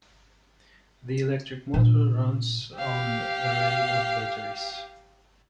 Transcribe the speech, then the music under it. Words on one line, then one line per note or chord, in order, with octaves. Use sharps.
The electric motor runs on an array of batteries.
A#2 D4
G4 F5